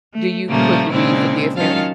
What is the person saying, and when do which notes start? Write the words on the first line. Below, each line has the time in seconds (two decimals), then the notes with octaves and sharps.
Do you- quickly- do you forgive him?
0.13 A3
0.48 A#2 C#3 F3 G3 A3 A#3
0.90 A#2 C#3 G#3 C4 D4 E4
1.56 D#3 F#3 C#4 F4 F5 A5